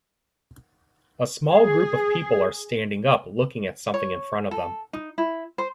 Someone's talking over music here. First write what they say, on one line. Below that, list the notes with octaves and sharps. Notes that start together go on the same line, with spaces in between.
A small group of people are standing up looking at something in front of them.
G#4
C#5
A4
D#4
E4
C5